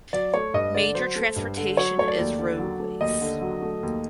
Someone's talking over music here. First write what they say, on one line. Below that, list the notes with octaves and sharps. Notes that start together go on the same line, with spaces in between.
Major transportation is road ways.
F#3 D5
A3 C#5
G2 D#5
D3 D5
F#3 C5
A3
G2
D3
F#3 C#5
A3 C#5
D5
D#2
D3
F#3
A3
D#2 D#5
D3
F#3
A3
D#2